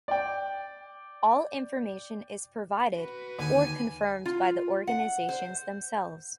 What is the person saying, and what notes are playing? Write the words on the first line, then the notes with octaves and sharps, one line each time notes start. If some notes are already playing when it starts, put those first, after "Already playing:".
All information is provided, or confirmed, by the organizations themselves.
D5 G5
F#4 B4
D#2 D3 G#5
F4
F#5
C5